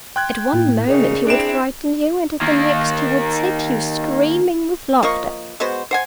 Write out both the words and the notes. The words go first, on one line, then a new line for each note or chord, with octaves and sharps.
At one moment he would frighten you, and at the next he would set you screaming with laughter.
G5 C6 F#6 G#6
A2 A#3 E4
C#3 D#4 G#4 A#4 D5
C4 D4 E4 D7 E7
D#3 A#3
F3 A#3 D#5 C#6
G#3 B3 F#4 C5
C5 F#5 G#5